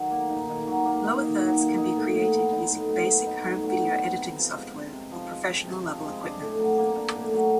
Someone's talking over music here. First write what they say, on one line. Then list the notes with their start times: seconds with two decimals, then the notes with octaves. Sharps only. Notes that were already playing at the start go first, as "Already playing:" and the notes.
Lower thirds can be created using basic home-video editing software or professional-level equipment.
Already playing: D#3 F#3 D#4
0.11 A#3
0.29 D#4
0.49 D#3
0.67 F#3
0.85 A#3
1.04 D#4
1.22 D#3
1.41 F#3
1.60 A#3
1.78 D#4
1.96 A2
2.15 F#3
2.34 B3
2.52 D#4
2.71 A2
2.89 F#3
3.08 B3
3.26 D#4
3.44 A2
3.63 F#3
3.82 B3
4.00 C4
4.19 C3
4.38 F3
4.56 G#3
4.74 C4
4.93 C3
5.12 F3
5.30 G#3
5.49 C4
5.67 C3
5.86 F3
6.05 G#3
6.22 D4
6.42 A2
6.60 F#3
6.78 A#3
6.97 D4
7.16 A2
7.34 F#3